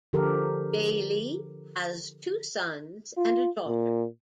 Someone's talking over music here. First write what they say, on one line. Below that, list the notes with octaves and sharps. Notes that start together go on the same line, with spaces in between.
Bailey has two sons and a daughter.
D3 F3 G4 A4 A#4
F4
A#2